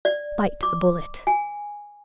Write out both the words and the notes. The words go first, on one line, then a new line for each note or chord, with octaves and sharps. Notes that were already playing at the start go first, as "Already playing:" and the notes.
Bite the bullet.
D5
D6
G#5